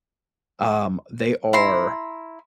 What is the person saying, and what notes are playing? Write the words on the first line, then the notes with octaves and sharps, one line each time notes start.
um, they are
E4 A#5 C6